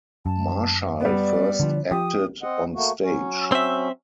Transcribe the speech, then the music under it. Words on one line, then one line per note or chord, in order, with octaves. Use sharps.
Marshall first acted on stage.
F#2 A5
G3 B3 D5
D3 F3
F3 G4 D#6
C4 D#5 F#5
A3 A#3 F#4
F#3 C#4
C4 E5